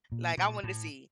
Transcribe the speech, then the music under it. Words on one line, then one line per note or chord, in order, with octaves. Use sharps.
Like, I wanted to see
A#2
A#2
A2